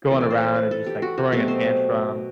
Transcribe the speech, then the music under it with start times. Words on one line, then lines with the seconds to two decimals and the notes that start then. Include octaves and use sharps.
going around and just, like, throwing a tantrum,
0.10 E3 A3 C4 A4
0.20 D5
0.30 C5
0.41 C5
0.56 B4
0.71 A4
0.86 G4
1.02 F#4
1.18 F#4
1.32 B2 F#3 A3 C4 G4
1.48 C5